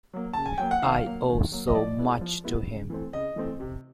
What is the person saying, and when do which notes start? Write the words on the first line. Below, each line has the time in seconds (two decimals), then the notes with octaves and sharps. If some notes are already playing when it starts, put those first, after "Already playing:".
I owe so much to him.
0.14 F#3 A#3
0.33 C#3 A5
0.46 G#5
0.58 F#3 A#3 G5
0.71 F#5
0.82 D#3 F5
1.06 F#3 A#3
1.29 D#3
1.52 F#3 A#3
1.68 D#5
1.75 F3 D5
1.98 G#3 B3 E4
2.21 F3
2.44 G#3 B3 E4
2.67 C#3
2.90 E3 A3 C4
3.13 C#3 D#5
3.36 E3 A3 C4
3.60 C3